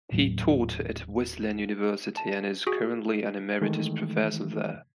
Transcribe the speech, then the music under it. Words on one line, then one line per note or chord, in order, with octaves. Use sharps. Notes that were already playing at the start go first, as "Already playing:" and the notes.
He taught at Wesleyan University and is currently an emeritus professor there.
D#1 A2 F#3 A#3
A5
F#4 G#4
D#3 E3 G#3 A3